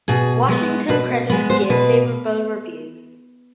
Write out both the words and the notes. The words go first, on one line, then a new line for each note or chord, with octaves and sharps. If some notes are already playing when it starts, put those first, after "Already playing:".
Washington critics gave favorable reviews.
B2 G#4
G#3 B3
B2 B4
G#3 B3 B4
C5
B2 B4